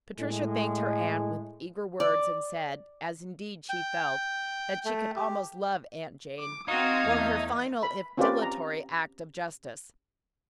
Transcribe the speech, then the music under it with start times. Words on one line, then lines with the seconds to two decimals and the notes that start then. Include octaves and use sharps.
Patricia thanked her aunt with eager words, and said, as indeed she felt, that she could almost love Aunt Jane for her final, if dilatory, act of justice.
0.18 A2 G#3
2.00 D5
3.69 G5
4.85 A3
5.16 G4
6.40 D6
6.68 C4 D#4 F#4 F5 D#6 G#6
7.07 E2 A3
7.83 B5
8.17 C4 C#4 F4 G4 B4 D5
8.42 A#5